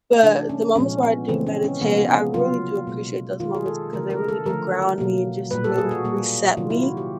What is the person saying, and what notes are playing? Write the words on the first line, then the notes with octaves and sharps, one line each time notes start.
but the moments where I do meditate, I really do appreciate those moments, because they really do ground me and just really reset me.
C3 E3 A3 D4
C#4
A#2 F3 G#3 C#4
B3
C#3 E3 G#3 C4
C#4
C#4
C3 F3 A#3 B3
B3
C#3 F#3 A#3 F4
B2 G#3
D#3 G#3 F4
G#4
A4
C#3 E3 A3 A#4
A#4
A4
D3 F3 A3 A#4
B2 F#3 A#3
A#2 G3 A#3 B4
A4
G#4
F#4
A#2 G3 A#3
C3 D#3 F#3 A#3 F4
E4
F#4
G4